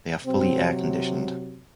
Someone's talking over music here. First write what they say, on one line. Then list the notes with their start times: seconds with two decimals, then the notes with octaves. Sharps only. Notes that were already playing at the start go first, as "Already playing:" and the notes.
They are fully air-conditioned.
0.24 C3 F#3 C4